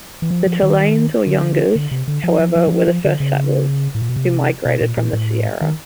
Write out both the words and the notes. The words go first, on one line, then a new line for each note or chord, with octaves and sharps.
The Tallanes or Yungas, however, were the first settlers, who migrated from the Sierra.
E3
F3
F3
D#3
D3
D3
C3
D3
F3
F3
F3
E3
F3
F3
D3
C#3
A2
A#2
B2
C3
B2
A#2
A#2
A2
D#3